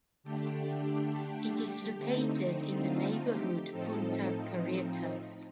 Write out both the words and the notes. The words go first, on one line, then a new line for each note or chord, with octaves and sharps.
It is located in the neighborhood Punta Carretas.
D3 A3 D4 G4
D3 A3 C4 D#4
F4
G4
A2 F3 C4 D#4 A4